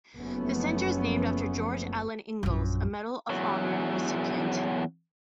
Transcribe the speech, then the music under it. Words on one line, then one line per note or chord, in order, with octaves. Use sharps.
The center is named after George Alan Ingalls, a Medal of Honor recipient.
F#1 F3 A3 B3 C#4
A#1 F#2
E2 F#3